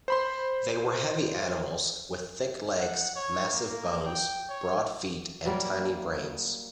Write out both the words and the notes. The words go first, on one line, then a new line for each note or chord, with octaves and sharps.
They were heavy animals, with thick legs, massive bones, broad feet, and tiny brains.
C5 B5 C6
F#5
C#5
A#3
G5
C#5
F#3 G3 A#3